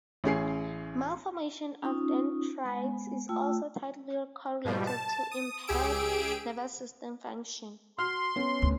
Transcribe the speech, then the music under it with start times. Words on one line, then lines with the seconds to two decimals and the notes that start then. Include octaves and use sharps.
Malformation of dendrites is also tightly correlated to impaired nervous system function.
0.24 A1 C#4 G#4 C7
1.82 C#4 D#4 F4 D#6
2.65 G#3 B3 G#5
3.29 A3 F4 G5 E6
4.65 G#2 B2 F3 G3
4.87 A5
5.31 D#6
5.67 C#2 G4 G#4 E6 D7
7.99 F#4 C6 F6
8.36 B3 C#4
8.62 D2